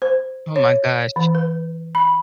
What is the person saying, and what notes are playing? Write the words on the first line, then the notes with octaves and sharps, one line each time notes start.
Oh my gosh.
C5
C#5
E3
B4
B5